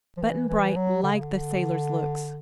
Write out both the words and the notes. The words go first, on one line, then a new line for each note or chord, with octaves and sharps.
Button-Bright liked the sailor's looks.
F3
E3
E3
F#3
D3
C#3
D3